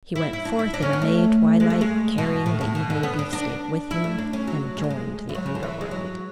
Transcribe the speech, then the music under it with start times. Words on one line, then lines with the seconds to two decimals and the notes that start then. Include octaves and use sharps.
He went forth in a May twilight, carrying the evening beefsteak with him, and joined the underworld.
0.16 E4
0.33 E4
0.45 D4
0.59 E4
0.74 D4
0.82 C#4
0.93 B3
1.02 A3
1.60 G#3
1.70 A3
1.81 G#3
2.18 B2
2.46 A2
2.61 A2
2.75 B2
2.90 D3
3.03 B3
3.19 D4
3.33 D4
3.91 E4
4.04 A3
4.18 D4
4.33 C#4
4.47 F#3
4.77 G#3
4.84 A3
4.90 G#3
5.29 E3
5.35 F#3
5.46 C#3
5.55 D3
5.63 E3
5.81 G#3
5.91 F#3